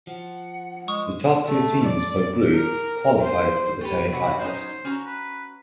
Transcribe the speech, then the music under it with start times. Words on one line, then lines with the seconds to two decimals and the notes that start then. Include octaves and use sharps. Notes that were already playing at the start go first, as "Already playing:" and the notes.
The top two teams per group qualified for the semifinals.
0.07 F3 F#5
0.88 G#3 C#6 D#6
1.45 A3
1.84 D5
2.54 A#4
3.20 C5
3.81 A3 G4 B4
4.12 C3 F#4 B5
4.39 F#3 C#4 D#4 C5
4.85 C#4 F#4 A#5
5.06 B4